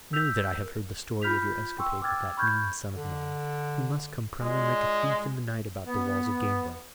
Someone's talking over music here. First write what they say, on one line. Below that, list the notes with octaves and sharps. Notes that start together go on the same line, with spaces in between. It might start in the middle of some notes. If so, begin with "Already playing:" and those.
Know that I have heard the story of your escapade with that mean son of mine, who must come prowling like a thief in the night about the walls of Gamewell.
E6 G6 B6 F7
A#4
F4 B5 F6 G6 B6 F7
G5 C6 C#6 E6
G5 D6 E6 F6 G#6 A6
B5 C#6 F6 G6 G#6
D3
A#2 G#3
B3